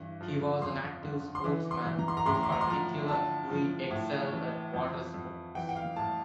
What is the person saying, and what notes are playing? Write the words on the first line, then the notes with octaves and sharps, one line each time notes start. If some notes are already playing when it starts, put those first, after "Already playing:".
He was an active sportsman who particularly excelled at water sports.
Already playing: G2 E3
F3
F2 C6
D3
C6
E3 D6
C6
E3
A#5
C6
A#5
A2 C6
A#5
C6
A#5
C6
F3 A#5
D3 A5
F3
A2
E3
F2
F2
E3 G5
G5
F5
A2 A5